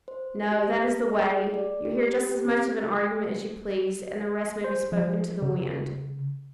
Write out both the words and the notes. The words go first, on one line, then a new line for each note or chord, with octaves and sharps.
'No; that is the way: you hear just as much of an argument as you please; and the rest may be spoken to the wind.'
C5
G4
A#6
G#4
D5
G4
G4
C4
C5
F3
C#3